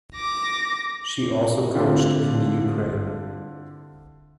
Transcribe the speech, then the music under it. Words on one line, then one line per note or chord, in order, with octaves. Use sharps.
She also coached in the Ukraine.
D6 A#6
D3 C4 E4 F4 G4